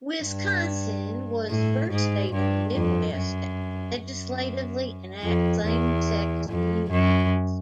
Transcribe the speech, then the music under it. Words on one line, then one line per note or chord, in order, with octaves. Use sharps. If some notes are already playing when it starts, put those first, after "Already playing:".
Wisconsin was the first state in the Midwest to legislatively enact same-sex unions.
G2
A2
G#2
G2
F2
F#2
F#2
F2
E2
F2
F#2